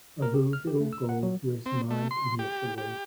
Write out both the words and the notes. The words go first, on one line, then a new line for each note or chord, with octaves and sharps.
Alluvial gold was mined initially.
A#4
G4
F6
G4
A3
E6
F#5
F#3
C4
A3
C6
G4
G4